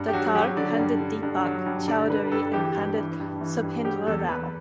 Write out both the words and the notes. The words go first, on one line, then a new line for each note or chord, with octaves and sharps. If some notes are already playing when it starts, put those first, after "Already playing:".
Datar, Pandit Deepak Chowdhury and Pandit Shubhendra Rao.
Already playing: G2
G4
F#3 F#4
F#3 G4
D3 D5
G2
D3
G2
F#3
G2
D3 D5
D3 B4
B4
G2 A4
E3 G4
G2
E3
G2
E3
G2
F#3 G4
E2 A4
E2 B4